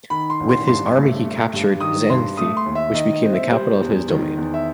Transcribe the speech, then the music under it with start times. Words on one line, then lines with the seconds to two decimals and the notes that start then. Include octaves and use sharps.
With his army he captured Xanthi, which became the capital of his domain.
0.10 D#3 B5
0.30 C6
0.40 A1
0.49 C6
0.67 G2 C6
0.97 A3
1.24 A3
1.53 G2
1.81 D#3 D#6
2.10 G2 C6
2.37 A3 D#6
2.57 C6
2.66 D#2
2.75 E5
2.94 D#3 D#5
3.13 D#5
3.23 C4
3.33 E5
3.51 G3 C5
3.80 E2
4.08 D#3
4.37 E2
4.54 E5